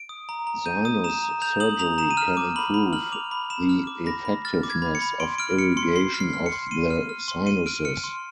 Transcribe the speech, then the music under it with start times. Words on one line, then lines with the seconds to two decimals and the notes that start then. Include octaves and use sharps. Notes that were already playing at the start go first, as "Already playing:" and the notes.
Sinus surgery can improve the effectiveness of irrigation of the sinuses.
Already playing: D7
0.09 D#6
0.29 A#5
0.47 A#5
0.66 G6 D#7
0.85 D#6
1.04 A#5 E7
1.23 A#5
1.42 G6 F7
1.60 D#6 F#7
1.79 A#5 F7
1.98 A#5 E7
2.11 D#7
2.17 F6 E7
2.37 D6
2.56 B5 F#7
2.74 B5
2.93 F6 F#7
3.12 D6 F7
3.31 B5
3.50 B5 E7
3.69 F6
3.87 D6
4.06 B5 A#6
4.25 B5
4.45 F6 A6
4.63 D6
4.70 G#6
4.82 B5
4.95 C#7
5.02 B5
5.20 C6 D7
5.38 F6 D7
5.58 F6 C#7
5.77 C6 C#7
5.96 C6 C7
6.14 F6
6.20 C7
6.33 F6
6.46 C#7
6.52 C6
6.71 C6 D#7
6.90 F6
7.09 F6
7.28 C6
7.47 C6 D#7
7.66 F6 D7
7.85 F6 C#7
8.04 C6